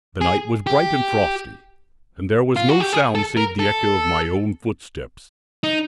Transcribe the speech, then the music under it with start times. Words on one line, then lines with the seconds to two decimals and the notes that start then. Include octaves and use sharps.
The night was bright and frosty, and there was no sound save the echo of my own footsteps.
0.21 G#4
0.67 G4
2.56 F4
2.69 F#4
2.80 G4
2.93 G#4
3.15 A4
3.37 A#4
3.59 A4
5.64 D#4